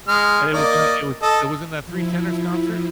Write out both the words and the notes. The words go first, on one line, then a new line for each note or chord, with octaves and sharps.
And it was in, uh, it was it was in the Three Tenors concert,
G#3 F6
A#3 D5 D#5
A4 D#5
F3 E4